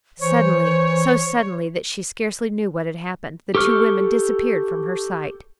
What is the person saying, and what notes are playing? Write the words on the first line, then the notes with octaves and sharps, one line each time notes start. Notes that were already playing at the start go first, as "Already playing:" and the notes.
Suddenly, so suddenly that she scarcely knew what had happened, the two women disappeared from her sight.
E3 C5 C#5
G4 A4 C#6 F6